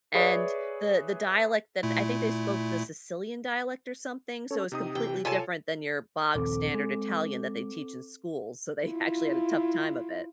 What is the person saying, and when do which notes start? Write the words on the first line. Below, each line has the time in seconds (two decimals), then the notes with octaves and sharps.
And the the dialect that I think they spoke the Sicilian dialect or something, so it's completely different than your bog-standard Italian that they teach in school. So they actually had a tough time of it.
0.15 G#4 B4 C#5 D5 E5
1.83 A#2 A3 E4
4.50 C#4 A4 C#5
4.72 C3 D#4 G4 D#6
4.95 C3 E3 G5
5.25 C3 F4 A4 C#5 G#5 A5
6.35 A#1 D#2 C4 A4 D6
6.74 G#3
8.85 E4 F4